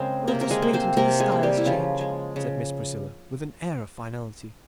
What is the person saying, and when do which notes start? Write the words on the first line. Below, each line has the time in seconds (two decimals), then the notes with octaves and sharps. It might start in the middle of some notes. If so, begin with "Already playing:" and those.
"We will just wait until the styles change," said Miss Priscilla, with an air of finality.
Already playing: C#3 G#3 C4 A#4 C5
0.27 C3 A#3 A#4
0.41 A#4
0.51 G#3 G#4
0.62 A#3
0.73 C4 C5
0.96 C3 A#3 A#4
1.20 G#3 G#4
1.32 A#3
1.43 G3 G4
1.57 E4
1.66 C#3 F3 F4
2.01 G#3
2.36 C#3